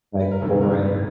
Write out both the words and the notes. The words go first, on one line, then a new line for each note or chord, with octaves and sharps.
like, bull rider.
B4
A#4
D2 C3 D#3 F#3 A4
A#4
B4